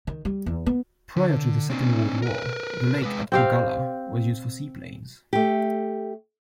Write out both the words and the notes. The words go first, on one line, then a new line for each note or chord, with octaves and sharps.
Prior to the Second World War, the lake at Koggala was used for seaplanes.
D#3
G3
E2
B3
D3
C4 D4
A#4 B4
G#3 B4
C4 G4 F5
A3 G4